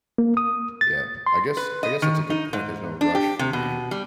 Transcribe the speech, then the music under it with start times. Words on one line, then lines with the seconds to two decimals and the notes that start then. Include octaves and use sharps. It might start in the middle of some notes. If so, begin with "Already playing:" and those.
Yeah. I guess I guess that's a good point. There's no rush for me
0.18 A#3
0.37 D#6
0.81 A6
1.26 C6
1.57 B4
1.83 D#5
2.02 D#3
2.30 D#4
2.53 G#2
3.01 D4
3.15 G4
3.39 C3
3.53 B2
3.91 G3